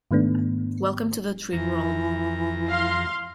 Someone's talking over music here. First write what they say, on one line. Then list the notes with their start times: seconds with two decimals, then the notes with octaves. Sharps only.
Welcome to the dream realm.
0.11 G#2 D#3 A3 B3 D4
1.53 F2 E3 A#5
2.69 F5 C6